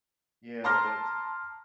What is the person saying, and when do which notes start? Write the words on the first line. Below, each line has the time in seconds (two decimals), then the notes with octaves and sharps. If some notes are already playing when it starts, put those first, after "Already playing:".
Yeah, that's
0.64 A5 A#5 C6 D6 F6 A#6